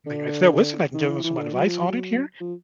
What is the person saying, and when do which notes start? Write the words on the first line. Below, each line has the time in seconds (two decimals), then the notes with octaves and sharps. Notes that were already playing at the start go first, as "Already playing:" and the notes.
mean, if they'll listen, I can give them some advice on it here.
0.06 D3
0.94 D#3
1.09 E3
1.24 E3
1.38 D3
1.53 F#3
1.67 F3
1.82 F#3
2.40 F3